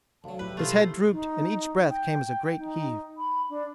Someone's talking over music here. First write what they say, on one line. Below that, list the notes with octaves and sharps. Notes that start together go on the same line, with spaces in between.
His head drooped and each breath came as a great heave.
D2 C#3 F#3 F5 A5
A2 F3 E4 G4 B4
B2 A3 F4 C5
D#4
G5
D#4
B5
D4